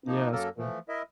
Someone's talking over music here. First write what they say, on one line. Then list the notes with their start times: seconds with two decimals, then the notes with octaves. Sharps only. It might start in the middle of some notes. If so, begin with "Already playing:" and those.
Yeah, that's cool.
0.07 F3 A#3 D#4
0.32 F#2 F#3 A#3 A4 A#4
0.58 E3 F3 A3
0.89 E4 A#4 D#5 E5